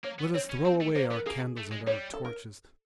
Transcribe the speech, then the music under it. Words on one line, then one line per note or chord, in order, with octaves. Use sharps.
Let us throw away our candles and our torches.
A#3 C#5
B3
C4 C#5
C#4
C4
A3
A#3 C5
B3 A#4
A#3 G#4
A3
G#3
G3 C#5
A4
A#4